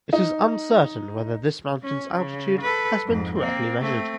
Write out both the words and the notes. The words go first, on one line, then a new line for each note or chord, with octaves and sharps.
It is uncertain whether this mountain’s altitude has been correctly measured.
D#4
C#4
C#3
A4 B4
F2 G#2
A#3 C4
A3 C4